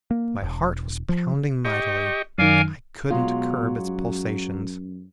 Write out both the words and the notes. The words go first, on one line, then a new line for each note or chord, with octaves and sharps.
My heart was pounding mightily. I couldn't curb its pulsations.
A#3
E1
F3
G4 D#5 C#6
F#2 D#3 A#4 D5 F5 G#5
B2 F#3 G#3 F4
F#2